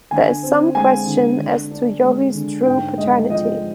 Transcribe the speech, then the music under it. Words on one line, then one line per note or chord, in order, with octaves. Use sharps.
There is some question as to Jochi's true paternity.
D3 G#5
C4
G#3 G#5
D3
D3
D4
G#3
D3
G#2 G5
G#3 D#5
F3 D#5